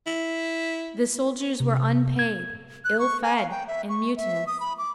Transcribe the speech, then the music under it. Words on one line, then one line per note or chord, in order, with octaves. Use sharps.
The soldiers were unpaid, ill fed, and mutinous.
E4
C3
G#6
F#6
C#6
G#5
F5
G5
E5
C#6
E5
D#6
B5
D6